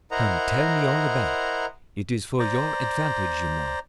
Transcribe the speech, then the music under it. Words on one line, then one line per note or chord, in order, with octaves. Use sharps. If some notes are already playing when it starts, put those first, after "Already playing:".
Come, tell me all about--it is for your advantage, you know.
E4 A#4 C5 D#5 F#5 A#5
C5 D5 A#5